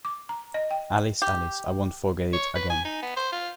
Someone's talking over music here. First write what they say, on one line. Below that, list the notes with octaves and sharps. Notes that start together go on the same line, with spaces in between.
Alice—Alice—I won’t forget it again.
D6
A#5
D#5
G5
G4
C#5
B4
G#5
D#4
B3
C5
F4